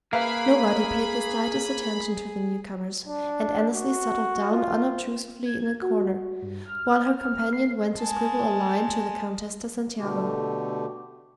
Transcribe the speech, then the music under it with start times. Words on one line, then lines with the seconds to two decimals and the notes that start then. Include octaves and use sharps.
Nobody paid the slightest attention to the newcomers, and Annesley settled down unobtrusively in a corner, while her companion went to scribble a line to the Countess de Santiago.
0.13 A#3 G#4 B4 E5 F5 B5
3.08 D4
3.75 F#4
4.52 F4
5.45 G#6
5.82 F#4
6.42 G2
6.65 F6
7.53 C7
7.98 G#3 A5
9.99 B2 D3 A3 G4